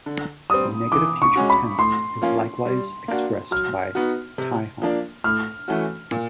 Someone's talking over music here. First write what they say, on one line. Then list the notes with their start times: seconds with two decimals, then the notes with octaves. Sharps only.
The negative future tense is likewise expressed by "tihon".
0.06 D3
0.50 G3 C4 D#6
0.92 E3 D6
1.22 C#6
1.36 G#3 C#4 F#4
1.50 B5
1.78 A2 C6
2.22 F3 A#3 C#4 F4
2.65 G3
3.08 A#3 D4 F#4
3.51 F#3 F6
3.95 B3 D#4 F#4
4.38 C3
4.82 F3 A#3 D4
5.24 A2 F6
5.68 E3 A3 C#4 F#4
6.12 A#2